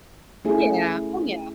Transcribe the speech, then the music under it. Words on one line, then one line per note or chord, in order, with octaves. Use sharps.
Yeah. Oh yeah,
A3 C#4 E4 G#4